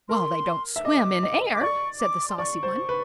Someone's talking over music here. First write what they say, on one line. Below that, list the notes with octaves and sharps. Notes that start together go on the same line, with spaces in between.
"Well, they don't swim in air," said the saucy one.
A#4 C6
E5
D#5 D6
D#5
D6
D5 C#6
D6
C6
D5 C#6
C5
B4